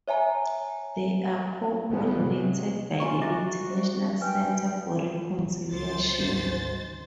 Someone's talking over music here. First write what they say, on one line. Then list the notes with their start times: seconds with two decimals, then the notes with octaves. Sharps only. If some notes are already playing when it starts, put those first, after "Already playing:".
They are co-ordinated by the International Centre for Reconciliation.
0.08 C#5 E5 G#5 A#5
1.88 D3 F3 G3 G#3 B3
2.18 C3 F#3 G#3
3.00 F4 G#5 A#5 C#6
3.22 F#4 D#5 E5 D6
3.70 C5
4.21 B4 G5 G#5
5.72 C#2 C5 A6
6.19 G#1 D2 G#2